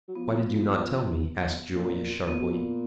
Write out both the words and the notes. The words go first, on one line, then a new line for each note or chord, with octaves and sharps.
"Why did you not tell me?" asked Julius, sharply.
F#3
F3 B3
A#2
A#2 B3
B2
A#2